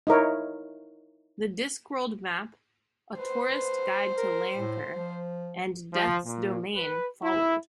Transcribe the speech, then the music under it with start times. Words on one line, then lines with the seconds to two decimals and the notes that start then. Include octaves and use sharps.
"The Discworld Mapp", "A Tourist Guide to Lancre" and "Death's Domain" followed.
0.07 D#4 E4 A#4 C#5
3.18 B4 C5
4.17 A#4
4.57 A2
4.94 F3
5.93 F3
6.25 A#2
6.75 B4
7.24 E4